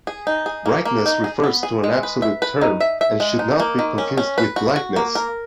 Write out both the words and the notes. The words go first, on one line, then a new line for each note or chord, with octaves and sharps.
Brightness refers to an absolute term and should not be confused with Lightness.
G#4
D#4
G#4
A#3
A#3
D#4
G#4
B3
G#4
G#3
B4
E5
B4
D#4
E5
E5
G#3
D#4
A#3
D#3
C#4
C#4
B4
F#4
F#4
A#3
A#4